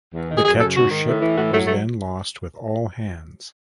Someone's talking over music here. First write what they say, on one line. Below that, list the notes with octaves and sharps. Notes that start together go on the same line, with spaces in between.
The catcher ship was then lost with all hands.
E2
D#3
G#4
F#2 G#4
C#3 A4
G#2 F#4
D#3
A2
E3
A2 F#4
F#3 A3
A3